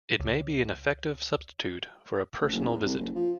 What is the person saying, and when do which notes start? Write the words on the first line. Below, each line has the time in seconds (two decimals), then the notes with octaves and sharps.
It may be an effective substitute for a personal visit.
0.20 C#2
2.41 A1
2.53 F#1
2.68 E2
2.86 C2
2.99 F#1
3.15 F3